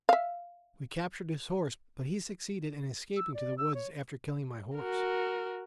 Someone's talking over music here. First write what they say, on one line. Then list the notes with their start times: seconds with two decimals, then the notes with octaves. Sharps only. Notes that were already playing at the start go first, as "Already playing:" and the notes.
We captured his horse, but he succeeded in escaping to the woods, after killing my horse.
0.09 E5 F5
3.17 E6
3.34 D5
3.58 E6
3.74 C#5
4.78 F#4 A#4